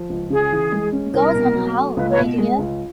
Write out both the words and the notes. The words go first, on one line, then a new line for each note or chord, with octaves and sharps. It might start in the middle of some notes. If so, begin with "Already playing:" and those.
Goes on how, my dear?
Already playing: F3
C#2
C#3 G#4
E3
G#3
C#4
C2 A#4
B2
F#3
A3
C#2 B4
B4 C#5
B2
G#3
C#2